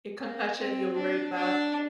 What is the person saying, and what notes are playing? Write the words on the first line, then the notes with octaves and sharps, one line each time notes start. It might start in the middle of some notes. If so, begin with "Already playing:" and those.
A concussion you're worried about, yep.
A#3
C4
D4
D4